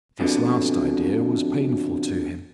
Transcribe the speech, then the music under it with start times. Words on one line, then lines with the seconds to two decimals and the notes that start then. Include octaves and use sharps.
This last idea was painful to him.
0.20 F2 B2 D3